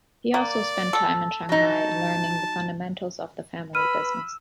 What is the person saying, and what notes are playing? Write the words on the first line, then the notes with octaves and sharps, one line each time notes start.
He also spent time in Shanghai learning the fundamentals of the family business.
A#3 D5
A4
F#3 D#4 A5
B4 B5 E6 F6 D#7